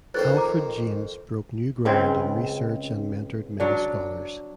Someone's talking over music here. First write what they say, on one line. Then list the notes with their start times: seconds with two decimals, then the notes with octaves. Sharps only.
Alfred James broke new ground in research and mentored many Scholars.
0.14 F2 D#3 B4 C5 F#6 A6
0.37 A#5 D6
1.85 C#2 C#3 C4
3.60 F#3 D4